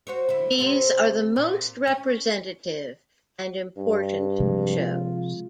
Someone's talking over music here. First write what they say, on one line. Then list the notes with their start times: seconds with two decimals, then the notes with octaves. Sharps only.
These are the most representative and important shows.
0.07 F#4 C5 C#5
0.29 D3 E4
0.59 C3 B3 C4
1.36 A#2
1.87 C#4
3.78 G2
4.40 C3 F3 G#3
4.79 F4